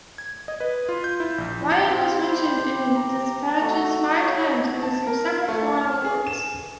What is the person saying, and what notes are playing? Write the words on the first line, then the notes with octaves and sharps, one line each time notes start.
Vian was Mentioned in Despatches five times, and received several foreign awards.
G#6
D#5
B4
F4
G6
E4
A#1
C4
G3 C5
G4
A#5
A3 F#4
C#5
A5
A#4
A3
F6
G#4
E7